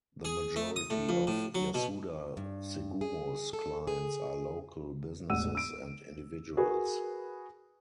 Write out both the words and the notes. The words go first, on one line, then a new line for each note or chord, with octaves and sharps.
The majority of Yasuda Seguros clients are local businesses and individuals.
G#4
A3
D#6
A2
F2
A2
F#3
B2
G2
G#4
A4
G#4
E1 A1 F#5 E6 D#7
E6 D7
F#4 G#4 A#4 B4